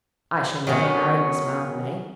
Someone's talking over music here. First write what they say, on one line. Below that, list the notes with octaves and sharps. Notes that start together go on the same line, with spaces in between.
"I shall never marry Miss Mildmay."
D#3 F#3 B3 C#4